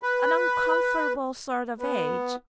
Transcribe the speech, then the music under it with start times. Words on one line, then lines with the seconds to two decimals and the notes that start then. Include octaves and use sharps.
'An uncomfortable sort of age.
0.03 B4
1.79 B3